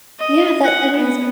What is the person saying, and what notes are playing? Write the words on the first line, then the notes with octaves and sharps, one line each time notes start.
Yeah, that that is.
D#5
F#5
B3